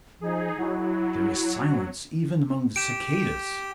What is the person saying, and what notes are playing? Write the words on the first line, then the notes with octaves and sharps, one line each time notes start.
There is silence even among the cicadas.
F3 D#4 G#4
F#3 E4
G4 G5 D7 E7